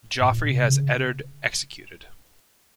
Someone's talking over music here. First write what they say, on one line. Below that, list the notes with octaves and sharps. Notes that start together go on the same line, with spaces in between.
Joffrey has Eddard executed.
G#2
A#2
C3
C#3